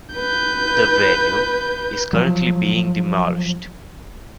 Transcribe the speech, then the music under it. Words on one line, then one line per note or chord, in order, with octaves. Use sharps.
The venue is currently being demolished.
B4 G6
F3 F#3